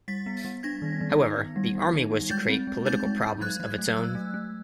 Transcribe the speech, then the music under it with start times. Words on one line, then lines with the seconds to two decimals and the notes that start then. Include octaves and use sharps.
However the army was to create political problems of its own.
0.08 G3 A6 B6
0.26 B3
0.45 G3
0.63 D4 G#6 A#6
0.82 D#3
1.01 D#3
1.20 D#4
1.37 B3
1.56 G3
1.75 G3
1.93 D#4
2.11 G3
2.30 G#3 G6 A6
2.49 C4
2.67 G#3
2.85 D#4 G6 A6
3.05 G#3
3.23 G#3
3.41 F#3 F#6 G#6
3.60 F#3
3.78 A3
3.96 F#3 E6 F#6
4.15 A3
4.34 A3